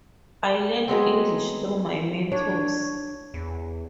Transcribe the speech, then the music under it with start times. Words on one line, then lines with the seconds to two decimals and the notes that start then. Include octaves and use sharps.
I learned English through my mentors.
0.88 F#3 G#3 B3 C4
2.32 D4 C#5
3.34 E2